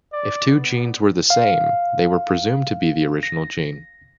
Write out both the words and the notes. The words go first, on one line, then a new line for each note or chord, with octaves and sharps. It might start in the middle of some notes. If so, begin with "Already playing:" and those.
If two genes were the same, they were presumed to be the original gene.
D5
B3
F5
A#6